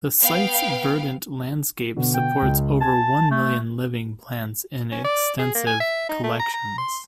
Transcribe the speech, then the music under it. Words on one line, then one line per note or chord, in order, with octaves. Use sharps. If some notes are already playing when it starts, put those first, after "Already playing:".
The site's verdant landscape supports over one million living plants in extensive collections.
B3 F5 G5
B2 D3 B3
G5
C#2
G#5 A5 G#6
A3
C#4
D5
G#4
A#3
G#5
E5
D#4
A3
A#5
A#5
C6